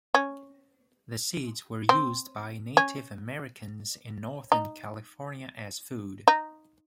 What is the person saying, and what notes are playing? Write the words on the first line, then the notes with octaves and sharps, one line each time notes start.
The seeds were used by Native Americans in Northern California as food.
C#4
C4
C#4
D#4
D#4